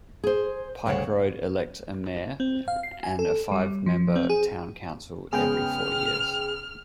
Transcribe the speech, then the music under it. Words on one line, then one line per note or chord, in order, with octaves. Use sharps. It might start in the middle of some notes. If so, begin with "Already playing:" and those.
Pike Road elects a mayor and a five-member town council every four years.
G#4 C5
D2 C#3 G3 C#5 F#5
C4
F5
C7
G#5
A4
G3
F3
C4
G#4
C#3 G#3 B3 G#4 G5 F6